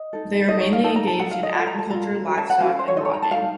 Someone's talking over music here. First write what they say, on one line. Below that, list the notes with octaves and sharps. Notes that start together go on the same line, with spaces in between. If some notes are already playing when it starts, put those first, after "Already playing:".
They are mainly engaged in agriculture, livestock and logging.
Already playing: D#5
D#4 A4
D#4 A4 D#5
C#5
F5
D#4 A4 A5
A#5
A5
D#4 A4 F#5
F5
D#5
F4 A4 F#5
A#5
A5
F4 A4 A#5
C#4 F#4 A4
A5
F#5
C#4 F#4 A4 F5
C5
C#5
D#4 A4 C#5 D#5
A#5
A5
D#4 A4 F5